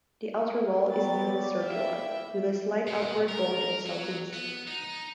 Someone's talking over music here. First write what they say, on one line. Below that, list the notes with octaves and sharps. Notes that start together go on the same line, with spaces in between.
The outer wall is nearly circular, with a slight outward bulge in the southeast.
F#3 G3 B3 A6
D5
E4 E5 F5 G5
B2
A#4
F#3
B3
D#4